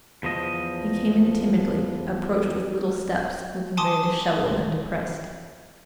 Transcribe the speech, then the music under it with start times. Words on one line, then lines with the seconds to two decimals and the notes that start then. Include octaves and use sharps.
He came in timidly, approached with little steps, looking very disheveled and depressed.
0.23 E2 F3 D#5
3.77 G#5 A5 C6 D6 D#6